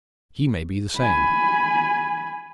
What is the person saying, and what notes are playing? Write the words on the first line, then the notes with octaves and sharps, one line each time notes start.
He may be the same.
G#5 B5